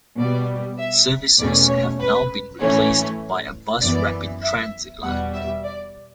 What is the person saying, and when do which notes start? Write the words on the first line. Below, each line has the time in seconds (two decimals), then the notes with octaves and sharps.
Services have now been replaced by a Bus Rapid Transit Line.
0.18 B2 G3 B3 D5
0.78 E5
1.39 E2 B2 A3 C#4 D5
1.69 C#5
1.99 B4
2.60 A2 E3 A3 C#4 C#5
3.81 F#2 E3 B3 D5
4.42 E5
5.02 E2 B2 G3 F#5
5.33 E5
5.63 D5